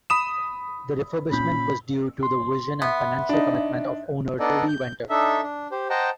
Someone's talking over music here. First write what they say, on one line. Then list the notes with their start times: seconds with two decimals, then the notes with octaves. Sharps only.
The refurbishment was due to the vision and financial commitment of owner Toby Venter.
0.10 B5 D#6 E7
1.31 A#2 C#4 B5 G6
2.23 C6
2.82 B3 E5
3.29 D4 D#4
4.40 B3 D4 D#4 A4 D5 D#5
4.68 G6
5.10 D4 D#4 A4 E5
5.43 D4
5.71 G4 C5
5.90 C5 D#5 F#5 G5 A5 A#5